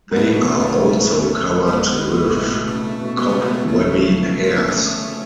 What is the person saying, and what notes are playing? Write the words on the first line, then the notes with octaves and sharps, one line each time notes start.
They are also covered with cobwebby hairs.
G#2
A2 B3 D4
B2
A3 C#4
C#3
D4
C#3 A3 C#4
C#3
G#3 B3
B2
A2
B2
C#3 A3
C#3
B2
B2 G#3 B3
A3 C#4
B2 G#3 B3
A3
C#3 A3
F3
F4
D4
A3 C#4